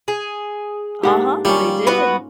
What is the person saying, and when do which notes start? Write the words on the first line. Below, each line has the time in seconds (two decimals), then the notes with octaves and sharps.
Uh-huh, they did.
0.08 G#4
1.03 G#2 A#3 D4 G4 F#5
1.45 D#3 G3 C#4 F4
1.87 B3 F#4 B4